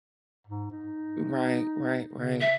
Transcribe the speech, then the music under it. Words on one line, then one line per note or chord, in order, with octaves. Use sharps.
Right, right, right.
G#2
D#4
C#3
E5